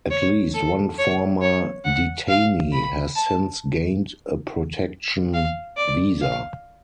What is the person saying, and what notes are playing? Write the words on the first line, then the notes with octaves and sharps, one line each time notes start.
At least one former detainee has since gained a protection visa.
C#5
A4
C#5
C#5
F#5
F5
B5
A5
F5
D5
F5